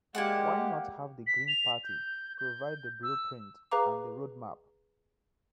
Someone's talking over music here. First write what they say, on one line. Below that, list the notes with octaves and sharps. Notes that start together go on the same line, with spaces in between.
Why not have the Green Party provide the blueprint and the road map?
G#3 A#3 G4 D5 F#5
B6
F7
G6
G6
E6
G#4 B4 F5 A#5 D6